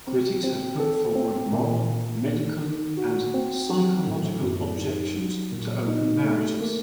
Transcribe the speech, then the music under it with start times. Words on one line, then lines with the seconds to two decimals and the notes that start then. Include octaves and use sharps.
Critics have put forward moral, medical, and psychological objections to open marriages.
0.07 C4
0.43 C4
0.80 A4
1.15 C4
1.52 A#2
1.88 A#2
2.24 D#3
2.61 D#3
2.97 F#4
3.34 C4
3.69 F#3
4.07 A2
4.42 F#2
4.78 D#4
5.14 F#3
5.52 A#2
5.87 D#4
6.24 A3
6.60 A#3